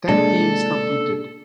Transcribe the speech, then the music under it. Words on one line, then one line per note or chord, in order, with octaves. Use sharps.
Ten teams competed.
C3 G#3 A#3 D4 A4 D5